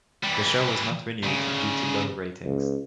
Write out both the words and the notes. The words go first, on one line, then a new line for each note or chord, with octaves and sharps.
The show was not renewed due to low ratings.
E3 G3
D2 C#3
C#2